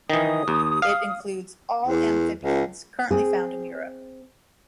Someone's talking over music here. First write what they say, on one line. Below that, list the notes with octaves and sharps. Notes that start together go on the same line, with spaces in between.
It includes all amphibians currently found in Europe.
D#3 E3 D#6
D#2
F5
E2
C#2
C4 G#4